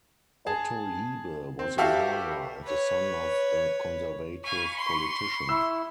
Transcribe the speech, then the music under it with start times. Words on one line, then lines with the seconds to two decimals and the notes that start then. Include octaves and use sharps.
Otto Liebe was a lawyer and the son of a conservative politician.
0.47 G#4 A5
1.59 C4
1.78 F#4 G4 A4 E5 F5
2.64 B4 C#5
4.44 F5 G#5 B5 C#6
4.77 C6
5.49 E4 E6